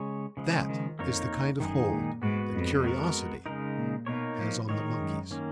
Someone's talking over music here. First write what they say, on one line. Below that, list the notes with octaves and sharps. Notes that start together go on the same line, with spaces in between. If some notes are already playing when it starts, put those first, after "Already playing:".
That is the kind of hold that curiosity has on the monkeys.
Already playing: C#3 G#3 C#5
C#3 F3 G#3
D#3
F2 A#3 D#4 A#4 C#5
F#2 D#3 G#3 D#4 G#4
A#2
G#2 B3 F#4 B4
F2
G#3 B3 F#4 A#4
C#3 G#3 D#4 A#4
A#2
B2 A#3 D#4 A#4 C#5
F3
G#2 D#3 G#3 D#4 A#4 C#5
F#2
D#3 A#3 C#4